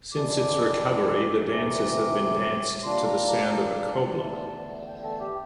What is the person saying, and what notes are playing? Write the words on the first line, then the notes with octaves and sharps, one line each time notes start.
Since its recovery, the dances have been danced to the sound of a cobla.
F2 E3 G3 D4 D6
D6
D2 C3 E3 D6
A#2 G3 A#3 D4 C6
A#5
A#5
A5
E2 D3 A3
G5
A4
G4